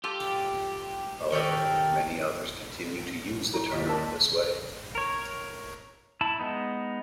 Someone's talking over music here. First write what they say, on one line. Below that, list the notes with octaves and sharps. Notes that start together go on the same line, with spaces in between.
However, many authors continue to use the term in this way.
F4 G4 A4
D#3 G4 A4 C#5
E4 C#5 C#6
D#2 G4 D#5 B6
A#4 D5 A5
A#4 C#5
E4 A5 B5
G#3 B3 D#4